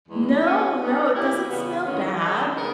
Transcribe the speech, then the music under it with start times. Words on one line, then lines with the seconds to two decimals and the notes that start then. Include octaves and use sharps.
No, no, it doesn't smell bad,
0.08 E2 D#3 G#3
0.43 B2 G#3 C#4
0.79 G3 B3 D#4
1.14 E3 A#3 E4 G4
1.49 E2 C#3 G3 B3
1.84 E2 D#3 G#3 C#4
2.20 D#3 G#3 D#4
2.55 C#3 G#3 B3 D#4 A#4